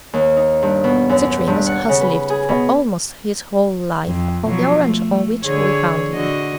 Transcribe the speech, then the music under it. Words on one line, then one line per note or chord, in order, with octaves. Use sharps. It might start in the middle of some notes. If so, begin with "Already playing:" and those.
Citrinus has lived for almost his whole life on the orange on which we found him.
D#2
D#4
G2
B2
F#2
G2
F#5
C#3
B4
G#4
B2
F2
B2 F3 F#3
A3
D3 G#4 C#5
D3 F#4 D#5